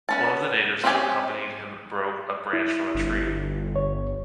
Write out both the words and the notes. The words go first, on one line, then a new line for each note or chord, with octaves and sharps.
One of the natives to accompanied him broke a branch from a tree.
B3 C#4 A5
C4 C#4 D#4 G4 G#5
E4
G1
C#5